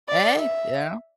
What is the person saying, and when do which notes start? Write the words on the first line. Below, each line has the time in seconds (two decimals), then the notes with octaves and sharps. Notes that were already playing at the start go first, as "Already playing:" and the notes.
Hey, yeah.
0.08 D5
0.40 E5